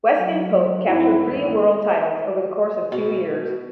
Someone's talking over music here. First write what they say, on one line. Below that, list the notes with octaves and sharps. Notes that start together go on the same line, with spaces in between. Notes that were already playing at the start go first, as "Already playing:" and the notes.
Weston Pope captured three world titles over the course of two years.
F#3
G#2 C4 E4
E2 G2 D#3 B3 E4
B2